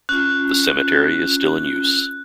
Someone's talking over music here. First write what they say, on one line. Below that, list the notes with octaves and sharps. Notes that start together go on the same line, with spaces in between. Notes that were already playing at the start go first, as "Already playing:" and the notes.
The cemetery is still in use.
C#4 F4 F#6